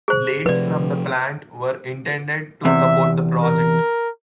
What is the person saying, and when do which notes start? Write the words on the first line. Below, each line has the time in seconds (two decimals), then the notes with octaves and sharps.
Blades from the plant were intended to support the project.
0.08 G#4 C5
0.46 C3 F3 B4 D5
2.65 E2 C3 E5
3.43 A#4